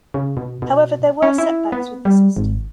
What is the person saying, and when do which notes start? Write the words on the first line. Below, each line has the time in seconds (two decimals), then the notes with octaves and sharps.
However, there were setbacks with the system.
0.14 C#3
0.37 B2
0.62 B2
1.22 C#4
1.38 E4
1.72 B3
2.05 G3
2.36 G#1